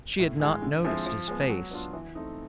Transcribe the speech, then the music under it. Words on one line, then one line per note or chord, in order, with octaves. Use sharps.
She had not noticed his face.
A2
E3 G#3
D3
F3 G#3 C4 E4
F3
G#3 B3
F#3
B3 D4 F4
E3
A3 C4 D#4